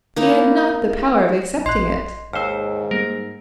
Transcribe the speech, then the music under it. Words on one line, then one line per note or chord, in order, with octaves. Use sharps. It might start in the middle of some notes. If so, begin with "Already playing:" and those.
He had not the power of accepting it.
A#3 D#4 E4
A1 D#5 C6 F#6 C7
D#2 G#2 C5 E6 F6
G3 A#3 A#4